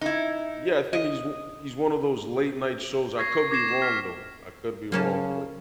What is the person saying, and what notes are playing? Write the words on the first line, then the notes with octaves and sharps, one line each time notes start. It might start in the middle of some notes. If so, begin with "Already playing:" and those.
Yeah, I think he's o he's one of those late-night shows, I could be wrong, though, I could be wrong, but
D#4 E4
D#5
C#6 G#6 A#6 C7
C#6
D6 G#6 A#6 C7 E7
E7
F6 A#6 B6
C#3 F#3 A#3 C#4 A5